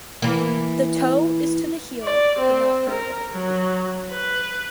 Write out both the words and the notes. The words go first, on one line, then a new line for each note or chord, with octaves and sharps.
The toe is to the heel, but not further.
E3 A#3
D5
C4
A#4
F#3
B4